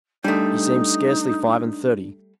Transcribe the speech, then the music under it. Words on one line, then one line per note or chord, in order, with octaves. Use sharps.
He seemed scarcely five and thirty.
G3 A3 D4 D#4